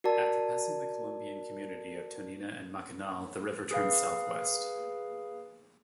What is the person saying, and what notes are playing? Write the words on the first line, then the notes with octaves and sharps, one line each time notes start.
After passing the Colombian community of Tonina and Macanal the river turns Southwest.
F#4 A#4 D5 A5
G#4 B4 F5